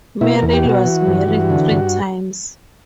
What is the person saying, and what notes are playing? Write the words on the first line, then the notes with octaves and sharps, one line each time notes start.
Merrill was married three times.
B2 E4
A#4
E2
A#4
G4
B2
F#4
E3
G2
E3
D3
G2